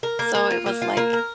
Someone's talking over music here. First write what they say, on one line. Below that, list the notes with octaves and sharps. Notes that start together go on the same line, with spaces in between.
so it was, like
A#4
A#3
A#3
F4
A#3
F4
A#3
A#4